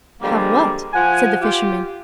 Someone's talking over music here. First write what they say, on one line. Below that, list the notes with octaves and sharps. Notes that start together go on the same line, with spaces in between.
"Have what?" said the fisherman.
D3 F3 G3 G#3 A#3
F3 F4 F#5 G#5
F4 G4